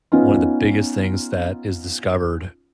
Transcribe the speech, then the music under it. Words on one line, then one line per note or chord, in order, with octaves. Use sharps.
one of the biggest things that is discovered
B3 C#4 D#4 F4